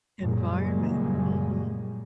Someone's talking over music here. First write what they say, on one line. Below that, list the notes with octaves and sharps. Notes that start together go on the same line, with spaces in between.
Environment, mhm.
F#2 A#2 C#3 G3 G#3